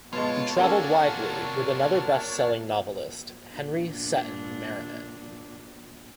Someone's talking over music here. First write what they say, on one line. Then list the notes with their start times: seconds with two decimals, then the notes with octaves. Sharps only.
He travelled widely with another bestselling novelist, Henry Seton Merriman.
0.13 B2 G#3 F4 C#5 A5
0.57 C3 A#3 C#4 D4 F#4 A4 A#4 F6
3.53 A#2 D4